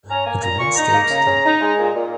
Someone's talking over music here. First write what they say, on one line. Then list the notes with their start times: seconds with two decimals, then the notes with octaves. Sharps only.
It remains there today.
0.08 C#4 A#5
0.25 A#3 G#5
0.41 A#2 A#5
0.58 A#2 C#6
0.75 D#4 A#5
0.92 A#3
1.09 C#3
1.26 C#3
1.43 D#4
1.60 G#3
1.77 A#2
1.94 A#2